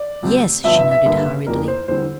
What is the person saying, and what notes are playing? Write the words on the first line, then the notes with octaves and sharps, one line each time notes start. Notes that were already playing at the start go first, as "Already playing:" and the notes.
"Yes," she nodded hurriedly.
Already playing: D5
D2 C3 G3 C4
G1 G2 F3 E5
E5
E5
G2 D3 G3 A#3
F1 F2 E3 A#3 A#4
C5
E2 D3 G3 C4 C5